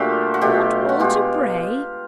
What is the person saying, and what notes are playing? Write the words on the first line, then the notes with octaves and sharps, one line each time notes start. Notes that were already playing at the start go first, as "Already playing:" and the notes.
'Not Walter Bray!
Already playing: A#2 F#3 A3 D4 F4 G4
F#4
B2 F#3 A3 F4 G4
F#4
B2 G#3 F4 G4